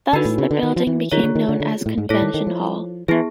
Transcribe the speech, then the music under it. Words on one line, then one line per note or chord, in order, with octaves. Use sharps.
Thus the building became known as Convention Hall.
D3 D#4 F#4 B4
A2
C#3
D3
D#3
F3
E3
D#3 F4 G#4 C#5
D3
D#3
D3
D3
A2
G#2
A2 E4 A4 C#5
D#3
D#3
F3
E3 B3 E4 G#4